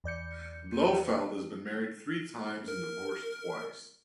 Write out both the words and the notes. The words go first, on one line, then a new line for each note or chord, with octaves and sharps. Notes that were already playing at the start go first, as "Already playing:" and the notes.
Blofeld has been married three times and divorced twice.
E2 D5 G6 C#7
A#4